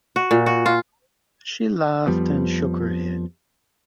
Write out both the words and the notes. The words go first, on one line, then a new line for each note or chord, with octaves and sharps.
She laughed and shook her head.
F#4
A#2
F#4
F4
F2 F3 G3 B3